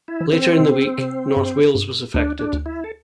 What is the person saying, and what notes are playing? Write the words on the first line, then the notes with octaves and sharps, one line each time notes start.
Later in the week, north Wales was affected.
E4
E3
C4
C3
C3
G2
G2
D2 D4
D4
D2
E4
A4